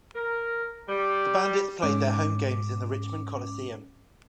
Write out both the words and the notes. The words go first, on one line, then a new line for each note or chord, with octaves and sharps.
The Bandits played their home games in the Richmond Coliseum.
A#4
G3
G#2 C#4 D6